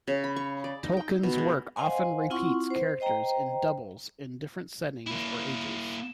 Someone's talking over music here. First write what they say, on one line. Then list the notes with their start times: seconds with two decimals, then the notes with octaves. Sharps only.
Tolkien's work often repeats characters in "doubles" in different settings or ages.
0.07 C#3
0.24 B5
0.36 C#6
0.64 D5
0.84 D#4
0.97 G5
1.23 B2
1.38 G#3
1.76 C5 D#5 F5 F#5 G#5 C6
2.30 C4 E4 F4 F#5 C6 C#6
2.70 C5
3.00 C5 D#5 G5 A#5
5.07 A#3 E4